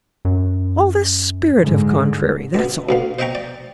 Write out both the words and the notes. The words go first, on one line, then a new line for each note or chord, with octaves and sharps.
All the spirit of contrary, that's all.
F#2
G#2 D3 G#3
C#2 B2
D2 B2 F5
C5 D#5 E5 G5 A#5 C#6
D5